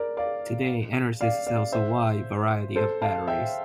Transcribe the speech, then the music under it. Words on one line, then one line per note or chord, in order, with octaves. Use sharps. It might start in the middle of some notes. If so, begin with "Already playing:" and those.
Today, Enersys sells a wide variety of batteries.
Already playing: A#4 D5
D5 F5
D5 F5
D5 F5
C5 E5
A4 C5
F5 A5
E5 G5